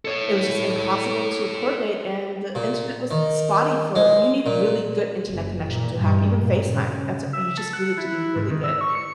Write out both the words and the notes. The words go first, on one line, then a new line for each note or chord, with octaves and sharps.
it was just impossible to coordinate, and the internet was spotty for you need really good internet connection to have, even FaceTime, that's a you just need it to be really good.
A4 C#5
A#2
D#3
G#3
A#2
F#1
A#2
G2
A#2
C#3
E5
A4
F#5
E4
G#2
D#3
E6
C#6
C#7